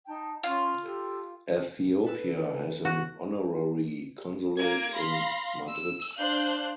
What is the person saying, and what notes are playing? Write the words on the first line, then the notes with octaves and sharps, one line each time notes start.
Ethiopia has an honorary consulate in Madrid.
D#4 G5 A5
C#4 F4 C#5
G4 A4
A4 B4 E6
F#4
A#3 G#6 D7
F5 B5 C6 A#6
E6
D4 C5 F5 F#6 G6